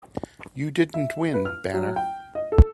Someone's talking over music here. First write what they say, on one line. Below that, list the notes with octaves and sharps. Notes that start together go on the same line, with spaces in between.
You didn't win, Banner.
E5
B4
F6
F#3
G5
D#5
A4